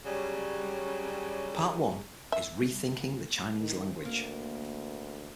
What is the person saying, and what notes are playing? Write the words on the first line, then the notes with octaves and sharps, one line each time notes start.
Part One is Rethinking The Chinese Language.
C#3 F#3 G3
E5
D#3
D2 A#3